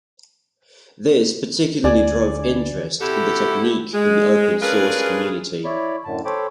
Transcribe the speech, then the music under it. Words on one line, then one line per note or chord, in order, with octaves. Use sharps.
This particularly drove interest in the technique in the open source community.
D2 D5 G#5
C3 E4 F#4 G4 A4
G#3
C#4 D4 F4 G#4 A#4 B4
E4 C#5 D5 B5
F#2 A2 D3 A5
A4 C5 C#5 G5 B5 D6